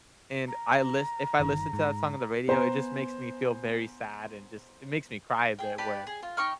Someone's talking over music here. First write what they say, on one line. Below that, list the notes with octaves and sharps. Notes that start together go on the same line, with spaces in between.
and I list if I listen to that song on the radio, it just makes me feel very sad and just it makes me cry a bit where
A#5
G1 D#3
G#2
B3 C5 G#5 A#5
G#4 G5
G4 B4 D5 A5
G#4
F4
D#4 G5 C#6 F6